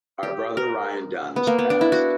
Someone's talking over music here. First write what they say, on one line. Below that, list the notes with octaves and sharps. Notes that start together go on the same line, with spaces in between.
Our brother Ryan Dunn has passed.
G4
A#4
B3
A#3
B3
D4
E4
F#4